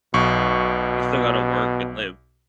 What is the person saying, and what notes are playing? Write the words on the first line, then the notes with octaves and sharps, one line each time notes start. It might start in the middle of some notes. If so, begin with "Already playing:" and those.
you still gotta work and live.
B1 B2 C#6